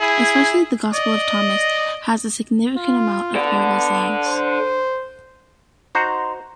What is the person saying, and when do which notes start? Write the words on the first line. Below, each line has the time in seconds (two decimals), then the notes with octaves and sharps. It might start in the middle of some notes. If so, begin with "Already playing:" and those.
Especially the "Gospel of Thomas" has a significant amount of parallel sayings.
0.01 E4 G#4
0.94 D5 D#5
2.77 F4
3.35 B3 A4 D5
4.27 C5
5.95 D#4 F#4 C5 A#5 C6